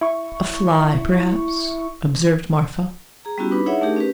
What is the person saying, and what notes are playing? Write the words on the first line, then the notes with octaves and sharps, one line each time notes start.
"A fly, perhaps," observed Marfa.
E4 C#6
G#4 A#5
G3 B3 C#4 E4 F#4 G4
D4 D#4 B4 B5
D#4 E4 G#4 C#5 E5 F#5
A3 D4 D#4 G4 G#4 A#4
C#4 G4 B4